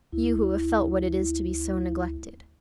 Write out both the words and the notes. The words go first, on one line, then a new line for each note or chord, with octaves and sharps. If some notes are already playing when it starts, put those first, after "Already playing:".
You who have felt what it is to be so neglected!
D2 E4